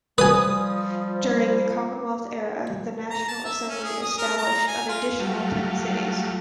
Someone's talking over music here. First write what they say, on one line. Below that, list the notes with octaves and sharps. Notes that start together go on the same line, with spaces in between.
During the Commonwealth era, the National Assembly established an additional ten cities.
F3 G3 B4 G#5 D#6
A#5
A5
E5
C#4
G#4
D#6
A#4
A#5
G#5
F4
F#3 G3 A3 F4